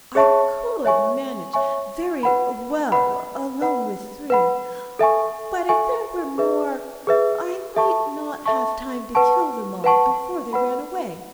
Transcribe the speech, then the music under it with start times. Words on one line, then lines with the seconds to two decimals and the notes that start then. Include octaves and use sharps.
'I could manage very well alone with three, but if there were more, I might not have time to kill them all before they ran away.'
0.15 G#4 C#5 E5 A5 C#6
0.85 C#5 E5 G#5 C#6
1.54 C#5 E5 G#5 C#6
2.23 B4 F#5 B5
2.92 B4 F#5 B5
3.61 B4 F#5 B5
4.30 B4 F#5 B5
4.99 A4 E5 G#5 C#6
5.69 A4 E5 G#5 C#6
6.38 G#4 B4 E5
7.07 G#4 B4 E5
7.76 A4 E5 A5 C#6
8.46 A4 E5 A5 C#6
9.15 B4 F#5 A5 C#6
9.84 B4 F#5 A5 C#6
10.53 B4 F#5 B5